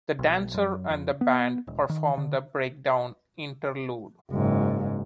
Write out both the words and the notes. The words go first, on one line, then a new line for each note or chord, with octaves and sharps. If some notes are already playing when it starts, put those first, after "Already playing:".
The dancers and the band performed the "Breakdown" interlude.
B1
F#2
F2
B3
E1
D#3
D3
F#1 G#2